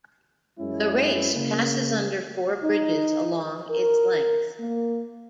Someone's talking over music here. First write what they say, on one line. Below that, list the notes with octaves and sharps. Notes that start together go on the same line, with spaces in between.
The race passes under four bridges along its length.
F#2 G#3 C#4 E4
C#3 A#3
D#4
A#4
A#3